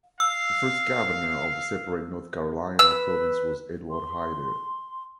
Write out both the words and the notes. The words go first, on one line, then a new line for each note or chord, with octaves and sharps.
The first Governor of the separate North Carolina Province was Edward Hyde.
F5 E6
B4 E6
C6